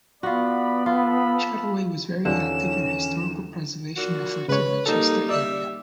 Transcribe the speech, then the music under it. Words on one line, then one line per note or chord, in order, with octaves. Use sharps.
Chataway was very active in historical preservation efforts in the Chester area.
B3 F4 F#4 D5 B5
F3 F4 A4 B5
E2 D3 D#3 F3 C#4 E7
A#2 F#4
C#3 G#3 B4 C#5
G3 A#3 D#4 A4
D5 E5